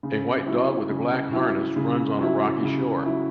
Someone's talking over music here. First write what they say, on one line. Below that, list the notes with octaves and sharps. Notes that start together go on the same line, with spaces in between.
A white dog with a black harness runs on a rocky shore.
C#3
F#3 E4
C#3
F#3 E4
C#3
F#3 E4
C#3
F#3 E4